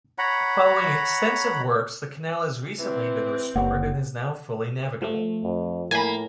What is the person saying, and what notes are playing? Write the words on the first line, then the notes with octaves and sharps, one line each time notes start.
Following extensive works the canal has recently been restored and is now fully navigable.
C#5 F#5 A#5 B5
E3 C4
F#1 A#3 G4 C#5 F#5
F3 A3
F2
A2 A#3 G#5 B5